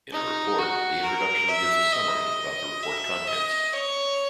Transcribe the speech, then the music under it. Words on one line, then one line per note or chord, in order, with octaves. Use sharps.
In a report, the introduction gives a summary about the report contents.
D#4
F#4
A#4
E5
D#5
E5
D#5
C#5